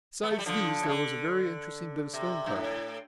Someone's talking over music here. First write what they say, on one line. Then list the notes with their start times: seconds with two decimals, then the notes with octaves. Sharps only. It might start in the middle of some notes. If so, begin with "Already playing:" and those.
Besides these there was a very interesting bit of stone carving.
0.23 B3
0.31 A3
0.39 G3
0.46 D3 F3
0.83 C3
0.88 D3
2.14 C3
2.46 G2
2.56 A2